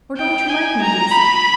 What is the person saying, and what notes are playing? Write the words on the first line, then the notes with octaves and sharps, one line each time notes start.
Or don't you like movies?
G5
G#5
A#5
B5